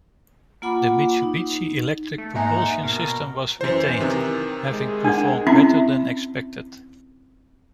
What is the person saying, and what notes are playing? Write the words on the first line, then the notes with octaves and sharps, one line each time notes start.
The Mitsubishi Electric propulsion system was retained, having performed better than expected.
A#3 F4 F#5 B5 D6
D#4
A3
G#2 A#3 D#4 E5 F#5 G#5 A#5
B2 A#4
F#2 E3 C5
C3 D#3
G#3
D4 F#5 G#5
C4 C#4 E4 E5 B5